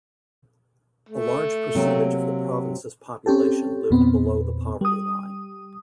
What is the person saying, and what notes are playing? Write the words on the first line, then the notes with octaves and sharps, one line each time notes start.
A large percentage of the province's population lived below the poverty line.
A3
C3 F#3 A#3
C4 C#4 G4 A4
E2 A#2 B3 C4
G3 D#6